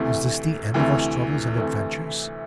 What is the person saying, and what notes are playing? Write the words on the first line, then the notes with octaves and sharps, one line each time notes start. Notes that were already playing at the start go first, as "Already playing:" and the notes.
Was this the end of our struggles and adventures?
Already playing: D2 C3 E3 A3 E4
D2 C3 E3 A3 E4
D2 C3 E3 A3 E4